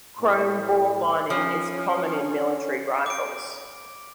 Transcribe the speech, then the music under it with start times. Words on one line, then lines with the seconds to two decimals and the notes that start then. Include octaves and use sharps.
Chrome bore lining is common in military rifles.
0.19 A2
1.30 F3 C#4
3.06 D6 D7